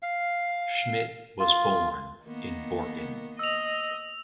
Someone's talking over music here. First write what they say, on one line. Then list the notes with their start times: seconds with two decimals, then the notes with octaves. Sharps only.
Schmidt was born in Borken.
0.02 F5
1.39 F4
2.24 D#3 A#3 B3
3.39 D#5 E6 F7